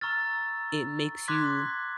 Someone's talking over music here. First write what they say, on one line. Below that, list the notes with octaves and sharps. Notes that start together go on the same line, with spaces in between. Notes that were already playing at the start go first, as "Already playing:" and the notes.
it makes you
A#5 C#6 E6 F6 A6
C6 D6 F#6 G#6 B6